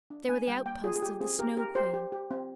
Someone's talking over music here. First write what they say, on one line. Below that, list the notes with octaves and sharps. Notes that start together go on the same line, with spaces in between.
They were the outposts of the Snow Queen.
D4
A#3 G#5
G3 G5
A#3 G5
F4 G#4
G#4
G4
C4 G#4
G4 A#4
G4 A#4
G4 C5
G4
G4
C4